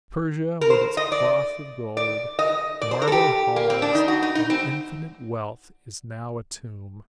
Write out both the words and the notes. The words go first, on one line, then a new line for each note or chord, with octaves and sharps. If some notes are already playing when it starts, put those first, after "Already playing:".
Persia, with its cloth of gold, marble halls, and infinite wealth, is now a tomb.
A#4
C5
D#5
D5
D5
D#5
D5
C5
A#4
A4
G4
A#3
C4
D4
D#4
F#4
D#4
D#4
C4